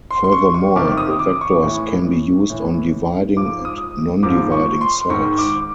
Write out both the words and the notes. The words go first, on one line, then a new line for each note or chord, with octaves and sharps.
Furthermore, the vectors can be used on dividing and non-dividing cells.
C6
C6
C#6
C#6
F2 C3 D#3 D6
D#6
D6
C#6
A2 E3
A2 E3
G#2 F3 D6
D#6
G#2 F3 D6
C#6
C6
G#2 D#3 C#6
D6